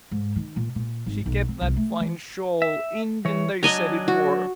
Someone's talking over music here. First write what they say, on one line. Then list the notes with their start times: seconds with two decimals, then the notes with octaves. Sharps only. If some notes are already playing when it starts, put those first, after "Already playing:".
She kept that fine shawl, Indian they said it wor.
0.11 G#2
0.36 D#3
0.56 A#2
0.75 A#2
1.06 G#1
1.26 B1
1.48 C4
1.61 C2
1.76 A3
2.01 E3
2.62 E5
3.25 E3 C#5
3.63 F#3 D4 D#5 G#5 A#5
4.08 F#4